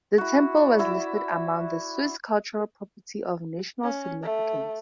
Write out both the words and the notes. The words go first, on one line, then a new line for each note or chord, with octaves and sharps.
The temple was listed among the Swiss Cultural Property of National Significance.
E4 F#4
D5
E4 F#4 E5
C#4
A3